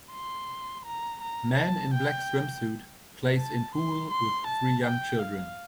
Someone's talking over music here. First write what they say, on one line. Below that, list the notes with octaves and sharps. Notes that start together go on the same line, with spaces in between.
Man in black swimsuit plays in pool with three young children.
C6
A#5
A#5
A5
G5
A5
C6
C6
A5
G5
F5